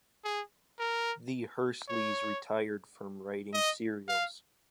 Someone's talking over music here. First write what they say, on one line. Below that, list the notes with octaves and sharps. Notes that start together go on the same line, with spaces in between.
The Hursleys retired from writing serials.
G#4
A#4
C#5
D#5
F5